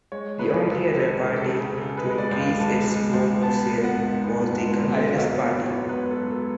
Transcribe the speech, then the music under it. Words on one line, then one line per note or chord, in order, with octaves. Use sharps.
The only other party to increase its vote share was the Communist Party.
G#3 C#5
C#3 B4
C#2 A4
G#3 A4
C#3
A4
C#3
G#4
C#3 A4
B4
G#3
D5
C#2
F5
G#3 A5
G#3
C#2
B3 A5
B3
F#5
G#2
B3
G#2
G#2
F#3 F5
B3 D5
B3 C#5
B3 B4
A4
F#3
A4